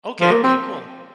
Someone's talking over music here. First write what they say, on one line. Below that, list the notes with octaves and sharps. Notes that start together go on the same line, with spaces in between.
Okay, okay, cool.
F3
A#3
C4